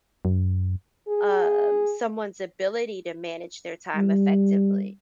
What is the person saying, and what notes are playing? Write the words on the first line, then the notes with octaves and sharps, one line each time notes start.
um, someone's ability to manage their time effectively?
F#2
G#4
G3